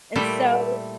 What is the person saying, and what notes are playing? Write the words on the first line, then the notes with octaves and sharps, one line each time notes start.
and so
A#2 G3 A3 E4 G5